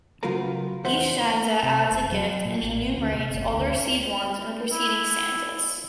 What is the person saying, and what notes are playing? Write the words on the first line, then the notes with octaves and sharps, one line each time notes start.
Each stanza adds a gift and enumerates all the received ones in the preceding stanzas.
C#3 F#3 F4 A#4 B4 A#5
E2 F4 B4 C5 E5 F#5
C3
F1
F#3
A#2
A1
D2
C3
F#1
D2
E4